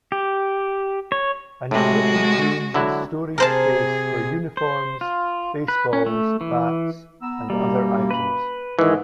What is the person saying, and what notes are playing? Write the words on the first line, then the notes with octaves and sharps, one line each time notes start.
An equipment room with storage space for uniforms, baseballs, bats and other items.
G4
C#5
A2 C3 G#3 F#4
D3 F#3 E4
C3 G#4 A#4 C5 A5
C5
F4
B4
C#4
A3
E3
B3 A#5 E6
F#2 B2 G3 A#3
B4 B5
G#2 D#3 E3 G#3